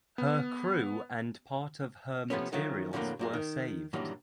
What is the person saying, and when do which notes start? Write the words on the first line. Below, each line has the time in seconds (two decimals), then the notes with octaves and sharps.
Her crew and part of her materials were saved.
0.18 B3
2.30 C3 F3 A3 B3 C#4
2.52 D#3 F3 F#3 A3
2.93 F2 A2 D3 E3 F#3 A#3
3.19 F#2 A#2 G#3
3.34 D#3
3.93 G2 A#2 D#3 E3 F#3 G3